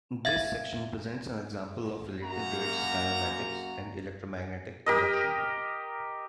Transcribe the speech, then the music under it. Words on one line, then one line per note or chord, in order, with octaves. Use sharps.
This section presents an example of related rates kinematics and electromagnetic induction.
E5 F5 G#6 A6
F#2 A#3 F#4 A#5
G4 A#4 D#5